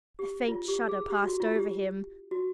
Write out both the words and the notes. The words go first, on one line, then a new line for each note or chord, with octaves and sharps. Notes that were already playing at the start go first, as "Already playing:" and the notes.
A faint shudder passed over him.
G4
F4
G4
G#4
G4
F#4
F4
G4
F#4